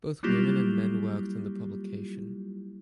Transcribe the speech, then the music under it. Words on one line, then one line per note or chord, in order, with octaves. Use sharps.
Both women and men worked on the publication.
F#3 G3 A#3 E4 F4 G4